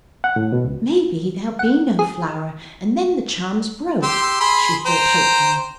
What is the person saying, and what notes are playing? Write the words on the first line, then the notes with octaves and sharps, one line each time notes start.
'Maybe there'll be no flower, and then the charm's broke,' she thought hopefully.
F#5
A2
B2
C#2
F#5
G#4
G4 C6 E6
G#4 B5 C6
C5 G5 A#5